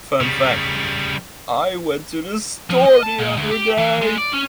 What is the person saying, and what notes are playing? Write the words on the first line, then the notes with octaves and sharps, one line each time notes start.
Fun fact: I went to the store the other day.
C#3 G3
F3
D#5
A5
A#2
D2
G4
E3
G#3
D5
C#4